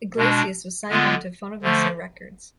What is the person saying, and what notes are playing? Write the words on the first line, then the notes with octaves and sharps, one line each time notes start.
Iglesias was signed on to Fonovisa Records.
B2 G#3 D4
D3 G#3 B3 F4
D3 F3 A3